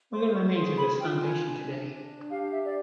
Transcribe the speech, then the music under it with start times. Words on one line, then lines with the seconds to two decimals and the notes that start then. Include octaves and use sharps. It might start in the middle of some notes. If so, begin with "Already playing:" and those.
Little remains of this foundation today.
0.13 C5 C6
0.35 C#6
0.56 G#4 C6
0.78 B5
1.00 F4 G5
1.22 G#5
1.44 D4
1.87 D4
2.30 G4 F5
2.52 E5
2.63 D5